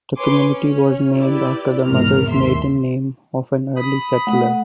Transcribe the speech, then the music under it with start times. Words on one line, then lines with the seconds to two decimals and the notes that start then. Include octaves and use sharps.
The community was named after the mother's maiden name of an early settler.
0.17 B4 C#5 G#5 C6 D6
0.47 C#4
1.18 E4 G4 B4 D5
1.86 E2 G#2 B2 A#4 F6
2.27 D#2 E5 C6
3.76 B5 D#6
4.27 A3 F#5